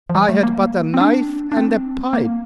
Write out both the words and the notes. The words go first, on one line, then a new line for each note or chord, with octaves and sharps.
I had but a knife and a pipe.
F3
G3
A3
A#3
C4
D4
D4
C4
A#3